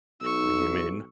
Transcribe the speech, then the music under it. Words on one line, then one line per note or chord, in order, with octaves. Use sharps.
"Bring him in."
B1 D#4 C#6 E6